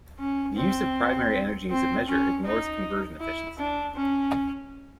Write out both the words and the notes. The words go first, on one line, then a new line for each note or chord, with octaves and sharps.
The use of primary energy as a measure ignores conversion efficiency.
C#4
C4
C4
C#4
D#4
E4
D4
C#4